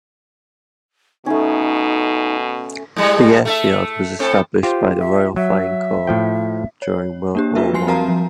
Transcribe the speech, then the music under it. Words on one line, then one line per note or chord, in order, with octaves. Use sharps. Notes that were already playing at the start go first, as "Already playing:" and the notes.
The airfield was established by the Royal Flying Corps during World War One.
B2 A3 C#4 D#4
G#2 G3 G#3
A3 A4 E5
A2 C4 A4
F4 G4 C5
E5
F#3 E5
A2 F3 G5
C#5
A#3 D4 G4
F#3 F4 F#4 B4 E5
F3 G3 G#5 C6 C7
C4 F#4 A#4 F5 A5 A#5
F3